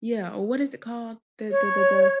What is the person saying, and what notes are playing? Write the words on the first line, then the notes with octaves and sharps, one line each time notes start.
Yeah, or, what is it called? The the the the
C#5